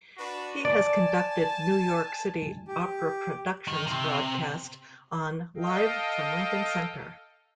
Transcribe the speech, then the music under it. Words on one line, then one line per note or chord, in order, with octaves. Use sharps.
He has conducted New York City Opera productions broadcast on Live from Lincoln Center.
D4 F#4 B4
D5 G#5 A5
G4
D#3
C3
A4 D#5 F5 G5